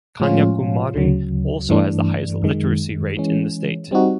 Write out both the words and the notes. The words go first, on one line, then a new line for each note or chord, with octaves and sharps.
Kanyakumari also has the highest literacy rate in the state.
A2 F3 G#3 C#4 F4
D2 C#3 F#3
G2 E3 A3 D4
F#2 D#3 G#3
E3 G#3 C#4
G3 C4 D#4 F#4